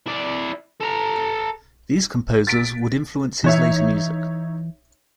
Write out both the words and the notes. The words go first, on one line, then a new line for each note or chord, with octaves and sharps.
These composers would influence his later music.
E4 D5
A4 A#5
A6 B6 D7
E3 D#4 C#5 E5